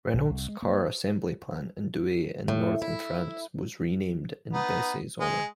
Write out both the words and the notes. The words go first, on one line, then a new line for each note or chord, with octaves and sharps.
Renault's car assembly plant in Douai in northern France, was renamed in Besse's honour.
A#1
C2
G#3
A#3
A2
E4
B3 D#4
G#3